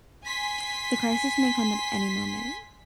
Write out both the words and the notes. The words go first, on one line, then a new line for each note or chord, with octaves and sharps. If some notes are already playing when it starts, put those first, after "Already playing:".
The crisis may come at any moment.
G#5 C6 B6